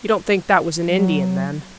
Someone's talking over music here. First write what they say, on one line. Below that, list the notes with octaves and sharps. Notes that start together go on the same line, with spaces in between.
"You don't think that was an Indian, then?"
F#3